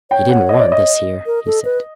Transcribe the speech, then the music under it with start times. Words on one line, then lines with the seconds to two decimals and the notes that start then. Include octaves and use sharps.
"You didn't want this here," he said.
0.11 C#5 G5
0.29 F#5
0.49 D#5
0.60 D5
0.72 D#5
1.26 A#4
1.46 A4
1.65 B4